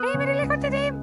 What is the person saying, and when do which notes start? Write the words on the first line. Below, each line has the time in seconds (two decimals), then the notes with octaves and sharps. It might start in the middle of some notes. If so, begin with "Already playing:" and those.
He immediately quit the team.
Already playing: B3 D#6 F#6
0.14 C#3
0.42 C#2
0.69 G#3